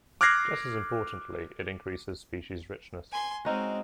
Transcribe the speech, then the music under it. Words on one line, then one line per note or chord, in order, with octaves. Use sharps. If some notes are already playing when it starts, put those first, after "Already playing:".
Just as importantly, it increases species richness.
D6 F6 F#6 G#6 A#6 C7
G#5 C6
G#3 C4 C#4 D#4 F#4